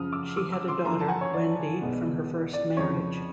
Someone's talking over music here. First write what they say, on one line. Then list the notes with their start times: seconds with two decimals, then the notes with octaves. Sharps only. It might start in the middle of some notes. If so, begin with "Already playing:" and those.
She had a daughter, Wendy, from her first marriage.
Already playing: F#2 C#3 F3 D#6 F6
0.12 D6 E6
0.37 D6 E6
0.52 D6 E6
0.68 C6 D6
0.84 G2 D3 F3 A#3 A#5 C6
1.00 A5
1.08 F#5 G#5
1.21 C#5
1.33 D5
1.81 B1 B2 G#3 B3
2.53 D5
2.77 F2 C#3 F3 C#5